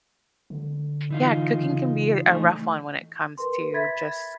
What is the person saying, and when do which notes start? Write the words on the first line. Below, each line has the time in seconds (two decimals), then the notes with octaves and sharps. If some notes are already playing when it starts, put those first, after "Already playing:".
yeah, cooking can be a rough one when it comes to just,
0.50 D3
1.10 E3 D#4 F4
1.60 C#3
2.26 E3 A3 D#4
3.38 A#4 B4 C6
3.74 E5 B5 G#6 A6 B6